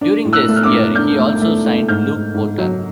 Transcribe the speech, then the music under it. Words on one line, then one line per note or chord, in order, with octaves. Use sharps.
During this year, he also signed Luke Potter.
D4
A2
E6 F#6
A3
F6
D6 E6
A2
D4 F6 G6
A3
A3
A3
G#2 F6 G6
G#2
G#2
F#3